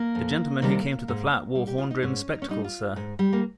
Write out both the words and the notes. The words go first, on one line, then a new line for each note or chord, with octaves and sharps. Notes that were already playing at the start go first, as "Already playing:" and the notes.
The gentleman who came to the flat wore horn-rimmed spectacles, sir.
Already playing: A#3
F2
C3 D#3 G3
G#2
G3
G4
F4
D#4
G#2 C#4
D#4
C#4
G3 D#4
F4
G#2
G3
A#3